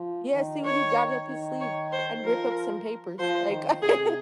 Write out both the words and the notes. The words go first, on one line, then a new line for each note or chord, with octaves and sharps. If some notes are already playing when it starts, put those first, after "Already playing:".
Yeah, see what he got up his sleeve. I'd rip up some papers, like, if
Already playing: F3
D#3
D#3 C#5
D#3
C#5
C5
F3 A#4
F3 C5
D#3
C3 G#4